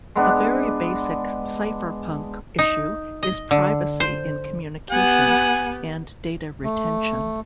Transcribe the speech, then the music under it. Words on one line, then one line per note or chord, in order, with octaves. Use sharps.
A very basic cypherpunk issue is privacy in communications and data retention.
G#3 B3 D4
D#4
D#5
D3
C5
B3 G4 F#5 G#5
A3